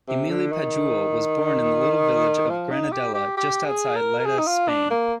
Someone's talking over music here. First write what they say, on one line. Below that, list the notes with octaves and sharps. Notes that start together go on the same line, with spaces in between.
Emili Pujol was born in the little village of Granadella just outside Lleida, Spain.
C3
D3
D#3
F3
D#4
G4
G4
G4
G#4
A#4
A#4
G#4
D#4
F4
D4
A#3